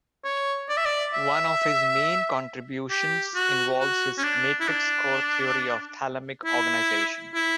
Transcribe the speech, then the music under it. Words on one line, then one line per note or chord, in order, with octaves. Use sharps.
One of his main contributions involves his Matrix-Core theory of thalamic organization.
C#5
D5
E5
D5
E5
G4
F#4
F#4
C#4
D4
E4
D4
E4
E4